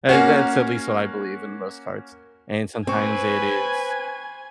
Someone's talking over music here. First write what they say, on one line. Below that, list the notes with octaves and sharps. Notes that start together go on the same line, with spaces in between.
Uh, that's at least what I believe in the most cards. And sometimes it is
A#3 C#4 F#4
C4 B4 C5 G#5 C#6